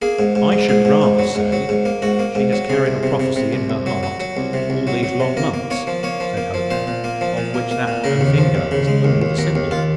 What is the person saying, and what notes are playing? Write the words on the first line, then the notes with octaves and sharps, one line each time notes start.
"I should rather say she has carried a prophecy in her heart all these long months," said Hope, "of which that on her finger is only the symbol."
A#3 G#4
G#2
G#2
G#2
G#2 G#4
G#2
G#2
F#3
G#2
F#3
G#2
A#3
G#2 F#4
A#3
G#2
F#3
C3 G#4
C2
C3
C3
C3
C2
C2
F#3
F#3
F#3
C2
C3
C2
F#3
F#3
C3
A#3 A#4
A#3
A#3 C#5
F3
A#3 C#5
F3
A#3
F3
A#2 C5
A#2
A#3
F3
A#2
A#3
A#3
A#2
C#3 A#4
D#2
F3
D#2
C#3
G#3
D#2
D#2
D#2 A#4
D#2
D#2 F4